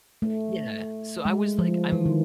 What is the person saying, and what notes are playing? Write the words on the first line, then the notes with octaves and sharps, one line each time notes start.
Yeah. So, I was, like, I'm
A3
G#3
F3
E3
D#3